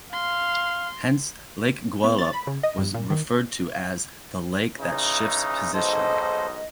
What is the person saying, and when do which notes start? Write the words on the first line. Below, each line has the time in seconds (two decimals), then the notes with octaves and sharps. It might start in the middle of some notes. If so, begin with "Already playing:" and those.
Hence, Lake Gwelup was referred to as "the lake that shifts position".
0.13 F5 C6
2.04 B3
2.18 A6
2.33 B5
2.47 C#3
2.63 D#5
2.78 G2
2.94 A#2
3.10 D#3
4.79 C#3 E3 D#4
5.74 B1 G#2 A4 C5 D#5